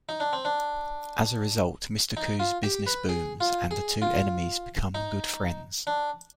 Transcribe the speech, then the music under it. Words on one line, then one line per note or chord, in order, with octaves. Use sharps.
As a result, Mr. Khoo's business booms, and the two enemies become good friends.
D#4
D4
C4
D4
D#4
F4
G4
B4
G#4
F4
G#4
F4
D#4
D4